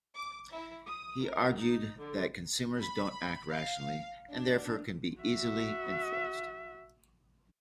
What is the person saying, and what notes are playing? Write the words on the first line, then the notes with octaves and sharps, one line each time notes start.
He argued that consumers don't act rationally, and therefore can be easily influenced.
D6
E4
D#6
A#4
D#4
D3
B5
F5
D4
F#4 E5